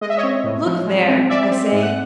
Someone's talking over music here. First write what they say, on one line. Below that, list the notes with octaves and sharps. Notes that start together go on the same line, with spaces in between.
"Look there!" I say.
G#3 D#5
E5
C#5 D#5
C4
A2
F3
G#3
C4
G#3 D5 E5
C4
G#2
F#5